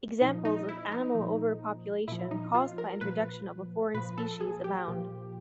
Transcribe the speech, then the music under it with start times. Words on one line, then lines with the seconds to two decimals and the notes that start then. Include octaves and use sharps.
Examples of animal overpopulation caused by introduction of a foreign species abound.
0.21 A#2 F3 D#4
0.45 D#4
0.69 E4
0.92 D#4
1.15 A#2 F3
2.08 A#2 F3 E4
2.31 D#4
2.55 F4
2.78 A#4
3.01 A#2 F3 B4
3.94 A#2 F3 B4
4.18 A4
4.41 G#4
4.64 G4
4.88 A#2 F3